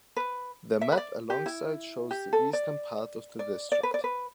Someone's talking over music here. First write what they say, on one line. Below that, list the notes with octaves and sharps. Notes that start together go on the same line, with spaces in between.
The map alongside shows the eastern part of the district.
B4
E5
B4
D5
G4
E4
G4
A4
D5
D5
D5
B4
D5
B4